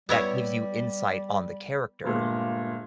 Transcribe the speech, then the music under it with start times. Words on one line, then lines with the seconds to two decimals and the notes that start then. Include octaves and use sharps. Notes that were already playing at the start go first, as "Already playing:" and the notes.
that gives you insight on the character.
0.09 G3 B3 E4 C#5
2.04 G1 A#2 G#3 F5